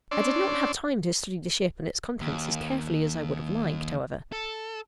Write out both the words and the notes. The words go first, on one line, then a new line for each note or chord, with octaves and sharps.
I did not have time to study the ship and its contents as carefully as I would have liked, however.
C#4 D4 D5 C6 E6
D#2
A4